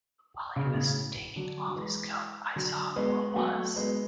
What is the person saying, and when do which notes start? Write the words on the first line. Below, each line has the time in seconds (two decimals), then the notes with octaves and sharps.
While he was taking off his coat I saw who it was.
0.56 C#3
0.64 B2
0.74 A2 C#3
1.36 D3 F#3
1.68 F#3
1.76 E3 G#3
2.56 D3 F#3
2.96 G#3 B3
3.32 B3
3.36 F#3 A3
3.76 G#3 B3